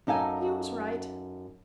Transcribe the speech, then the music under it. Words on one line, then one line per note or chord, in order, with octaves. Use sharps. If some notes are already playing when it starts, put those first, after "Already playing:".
He was right.
F#2 D#4 A4 F5 G#5